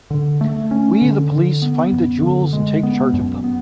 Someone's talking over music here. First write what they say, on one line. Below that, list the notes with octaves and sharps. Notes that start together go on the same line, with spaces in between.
We, the police, find the jewels and take charge of them.
D3
A3
C#4
D3
D3
B3
F#2
D3
G#3
B3
F#2
B3